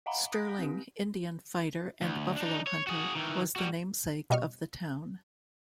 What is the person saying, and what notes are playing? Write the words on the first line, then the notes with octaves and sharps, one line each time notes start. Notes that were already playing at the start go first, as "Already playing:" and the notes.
Sterling, Indian fighter and buffalo hunter, was the namesake of the town.
D#5 F5 F#5 G#5 A#5 B5
D#6 F#6 G6 A#6 B6 D7
C4 G4
D2
D4 D#4
C#5
F#4 G#4
D#3 E3
G3 F#4
B2 G3 D#5 C#6 F6